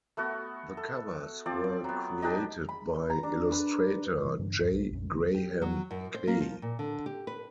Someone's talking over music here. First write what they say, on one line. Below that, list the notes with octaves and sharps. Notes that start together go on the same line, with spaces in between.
The covers were created by illustrator J. Graham Kaye.
A3 B3 F#4
A4
F3 C4 D5
F#3 B3
D4 D#4 G4 D#5
B5
A#5
D4
B4
C3 E3 A#3 B3
G2 D3 E3 D4
D#1 G2 F3
B1 F3 G3
A#1 F2 C#4
B1 D3 A3 C#4
G4
F#3
F#2
C5
A#3
F3
A#2
D3
G4
B4